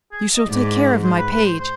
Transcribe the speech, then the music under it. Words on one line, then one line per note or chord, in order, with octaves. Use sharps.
You shall take care of my page.
G#4
D#5
G#2 D5
C5
B4
B4
C5
C5